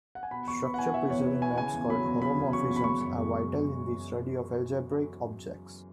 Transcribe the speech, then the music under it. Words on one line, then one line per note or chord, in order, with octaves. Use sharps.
Structure preserving maps called "homomorphisms" are vital in the study of algebraic objects.
F#5
G#5
B2 B5
E2 C#6
B3 B5
F#5
E4 G#5
B2 E5
E2 C#5
B3
E4 G#5
C#3 G#5
E2
F#3 B5
E2
C#3 B5
E2
F#3 C#6
E2
B5
C#3 C#6
F#2
G#3